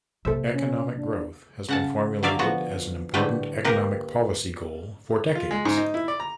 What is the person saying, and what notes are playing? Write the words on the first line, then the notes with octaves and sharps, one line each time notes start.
Economic growth has been formulated as an important economic policy goal for decades.
C3 A#3 A4 C5 E5
C#4
D4
C#3 F#5 A5
D3 F#3 D5 E5 F5
F3 B3 F#4
A2 D3 G3 A3 B4 G5
A#3 G4 A#4 B4
F4
G#3
G#2
D#4
E4
D5
A#5